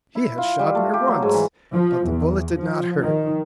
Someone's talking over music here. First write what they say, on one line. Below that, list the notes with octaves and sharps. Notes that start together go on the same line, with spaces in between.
He has shot me once, but the bullet did not hurt.
E4
F4
G3
A3
G4
F#3
G#2
E3
F3
E2
F3
D#3